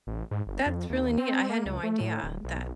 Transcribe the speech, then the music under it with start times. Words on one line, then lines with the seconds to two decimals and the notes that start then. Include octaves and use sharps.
That's really neat, I had no idea that
0.07 A1
0.31 G#2
0.47 G1
0.66 F2
0.90 D#2
1.18 C4
1.49 A#3
1.66 C#2
1.83 A3
2.01 A2
2.24 D1
2.44 B1